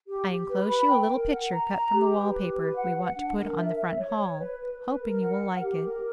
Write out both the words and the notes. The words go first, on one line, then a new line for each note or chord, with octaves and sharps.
I enclose you a little picture cut from the wall paper we want to put on the front hall, hoping you will like it.
G4
G4
B4
B5
G5
A#4
F#5
A#5
A#5
G4
B4
G4
B4
F#5
F#5
D4
A#4
E5
E5
C#5
C#5
B4
B4
B4
A#4
F#5
A#4
G4
A#4